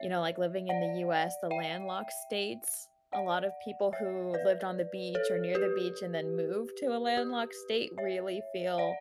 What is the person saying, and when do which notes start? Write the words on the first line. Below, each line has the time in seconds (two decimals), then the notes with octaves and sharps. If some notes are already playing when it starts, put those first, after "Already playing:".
you know, like, living in the US, the landlocked states, a lot of people who lived on the beach or near the beach and then moved to a landlocked state really feel
Already playing: C#5 E5
0.69 D5 F#5
1.51 E5 G5
3.13 D5 F#5
3.93 C#5 E5
4.34 B4 D5
5.15 A4 C#5
5.55 G4 B4
7.17 G4 B4
7.98 C#5 E5
8.78 D5 F#5